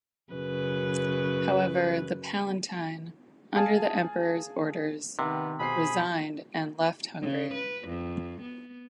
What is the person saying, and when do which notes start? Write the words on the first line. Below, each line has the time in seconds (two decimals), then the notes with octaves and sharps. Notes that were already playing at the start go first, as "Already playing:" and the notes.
However the Palatine, under the Emperor's orders, resigned and left Hungary.
0.33 F#2 C#3 B4
3.56 G#4 F5 G#5 A5
5.19 C3 D#3 B3
5.59 B2 G#4 C5 B5 C7
7.22 C#3
7.54 B4
7.88 F2
8.42 B3